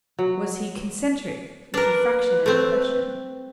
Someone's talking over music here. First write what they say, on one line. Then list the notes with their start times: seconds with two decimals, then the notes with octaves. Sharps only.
Was he concentric with infraction and repression?
0.19 F#3
1.74 D4 A#4 B4
2.46 A3 C4